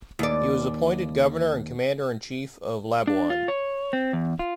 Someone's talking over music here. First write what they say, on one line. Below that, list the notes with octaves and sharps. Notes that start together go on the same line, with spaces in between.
He was appointed governor and commander-in-chief of Labuan.
D#2 D5
D4
F4
C#5
C4
E2
F4